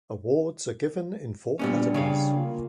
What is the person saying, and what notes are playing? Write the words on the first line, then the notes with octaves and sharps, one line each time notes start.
Awards are given in four categories.
A#2 G3 B3 C#4 D4
C#3 C#5 F5
A#3 F4